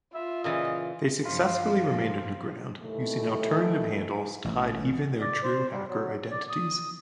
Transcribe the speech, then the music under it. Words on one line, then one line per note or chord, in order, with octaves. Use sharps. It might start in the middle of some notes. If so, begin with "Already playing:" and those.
They successfully remained underground using alternative handles to hide even their true hacker identities.
F4 E5
A#2 C#3 E3 D#5
G2 F3 F4 B5
D#2 D#3 E3 A3
A1
D5
C5
G3
F#3
D5
D#6